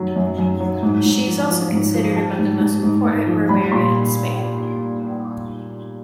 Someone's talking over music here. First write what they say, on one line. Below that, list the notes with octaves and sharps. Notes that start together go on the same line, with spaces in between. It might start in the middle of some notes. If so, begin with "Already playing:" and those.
She is also considered among the most important romeria in Spain.
Already playing: F#2 D#3 F#3
F#2
F#2
F#3
G#2
G#2
F3
F3
G#2
F3
F3 A5
G#2
G#2
G#2
G#2
F3
G3 B5
A#2 C6